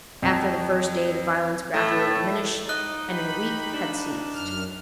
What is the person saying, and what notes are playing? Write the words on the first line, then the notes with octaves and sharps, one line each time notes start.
After the first day the violence gradually diminished, and in a week had ceased.
F2
A2 A3
D#4 D#5 F#6
G4 B5
D4
F#2 F6